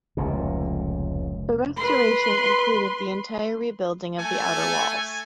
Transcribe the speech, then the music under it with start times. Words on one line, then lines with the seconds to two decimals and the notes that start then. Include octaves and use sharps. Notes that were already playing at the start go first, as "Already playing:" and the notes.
The restoration included the entire rebuilding of the outer walls.
0.17 F1 C#2 A#2
1.77 B4 C6
4.18 A3 A4 G#5